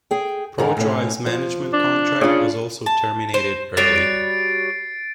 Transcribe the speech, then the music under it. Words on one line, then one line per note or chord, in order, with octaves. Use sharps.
Prodrive's management contract was also terminated early.
G#4 G5
G#2 D#3 A#4
A2 C#4
F3
D4
C#3 D4 F4
A5
C5
G3 F#4 C#5 A6 C7 D7
D7